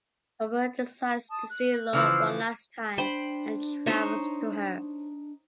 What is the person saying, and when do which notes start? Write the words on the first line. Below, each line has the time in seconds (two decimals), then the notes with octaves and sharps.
Robert decides to see Lore one last time and travels to her.
1.29 A5 D#6
1.50 F#6
1.93 C#3 E3 F3 C5 E6 F6
2.98 D4 C5 G5 B5
3.86 D#4 C5 C#5